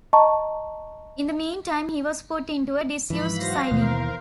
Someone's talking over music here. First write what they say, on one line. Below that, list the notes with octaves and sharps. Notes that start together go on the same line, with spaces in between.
In the meantime, he was put into a disused siding.
D#5 A5 A#5 C#6
G#2 E3 F3 B5
F#3 F#4 C5 F5 A#6
D#2 B2 E3 A#4